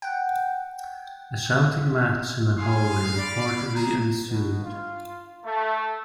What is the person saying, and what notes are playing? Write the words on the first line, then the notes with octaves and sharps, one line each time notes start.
A shouting match in a hallway reportedly ensued.
F#5 G5
G#4 F5 C6
D5 B5
G#4 A#5
B2
F4
A3